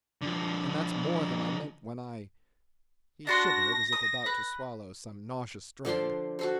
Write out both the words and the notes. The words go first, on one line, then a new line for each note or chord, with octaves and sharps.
"And that's more than I meant when I" . . . he shivered as if about to swallow some nauseous drug . . .
D3 F3
D4 F#4 C6 A#6
D#6
B4
D3 F3 D4 C6
F#4 A4 C5